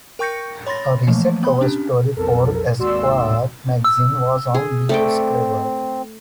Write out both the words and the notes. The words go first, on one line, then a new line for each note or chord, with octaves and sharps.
A recent cover story for Esquire magazine was on Liev Schreiber.
A#4 G5 C#6 G6 A#6 C#7
C#5 B5 C6 A6 A#6
E3 F3 A3 A#3
B3 B5
C#4 D4 G4
B1 F2 A4 A#4
G#1 D#2 F#4 D5 C6 E6
E6
G#4
A3 C4 D5 G5